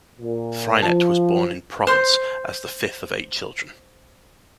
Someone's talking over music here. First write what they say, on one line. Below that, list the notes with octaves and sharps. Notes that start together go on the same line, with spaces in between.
Freinet was born in Provence as the fifth of eight children.
A#2
F3 A5
C5 C6